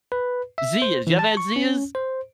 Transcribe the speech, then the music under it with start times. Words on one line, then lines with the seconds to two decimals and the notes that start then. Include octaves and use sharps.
Zea's. You ever had Zea's?
0.12 B4
0.58 E5
0.82 C5
1.07 E3
1.19 A5
1.37 C#6
1.56 C#4
1.95 C5